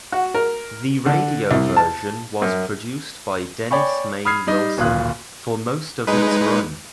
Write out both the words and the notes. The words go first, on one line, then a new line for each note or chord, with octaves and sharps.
The radio version was produced by Dennis Main Wilson for most of its run.
F#4
A#4
D3
C2
A5
F#2
C#5 D5 G5 G#5 B5 C#6
B5 D#6 F6 G#6 C7
G3 D#4
D1 G#1 A#2 F4 D#6 F#6
G#3 D#4 B4